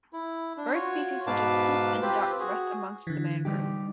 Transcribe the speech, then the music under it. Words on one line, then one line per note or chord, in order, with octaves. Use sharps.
Bird species such as Coots and ducks rest amongst the mangroves.
E4
D4
F4 F#4 C#5
G#2 B2 B4 F5 A5 D6
C4 F4 G4 B4 C5
F#4 G#4
D3 E3
G3 D#4 G4